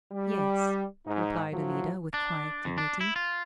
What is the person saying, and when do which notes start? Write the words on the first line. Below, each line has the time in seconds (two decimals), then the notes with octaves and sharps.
"Yes," replied Alida with quiet dignity.
0.12 G3
1.06 G#2 D#4
1.51 A2 F3 F#3
2.14 D4
2.65 F2
2.78 D4
3.01 E4
3.16 F4